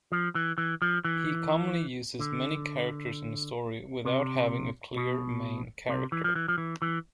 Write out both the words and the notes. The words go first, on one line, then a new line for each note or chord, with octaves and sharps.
He commonly uses many characters in a story without having a clear main character.
F3
E3
E3
F3
E3
D3
C3
B2
C3
E3
F3
E3
F3
E3
E3